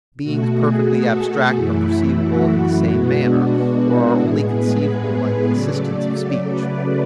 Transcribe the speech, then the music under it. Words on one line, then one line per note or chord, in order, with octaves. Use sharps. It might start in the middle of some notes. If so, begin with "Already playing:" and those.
Beings perfectly abstract are perceivable in the same manner, or are only conceivable by the assistance of speech.
B2 A3 F#4
G#4
A4
F#4
F#2 E3 A3 E4
E4
F#4
B2 G#3 B3 F#4
D4
E4
A2 G#3 B3 G#4
B4
C#3 F#3 A3 D5
B4